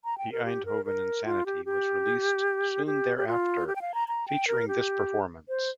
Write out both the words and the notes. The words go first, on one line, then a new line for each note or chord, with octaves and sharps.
"The Eindhoven Insanity" was released soon thereafter, featuring this performance.
A#5
G5
A#4
G4
A#4
A#4
F4
G4
G4
G4
G4
F4
G4
G5
F5
A#5
A#5
G5
A#4
G4
C5